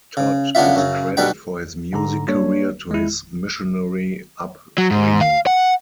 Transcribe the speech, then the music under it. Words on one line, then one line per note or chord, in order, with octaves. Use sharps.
Todd gives credit for his music career to his missionary upbringing.
C#3
C#3 B3 D4 F4 E5
F#2 C#3
B1 B2 G3 D4 B4 G5
G#2 D3 A#5
G3 A#3 D4 C#5
G#3 E4
F#3
G#2
F5
F#5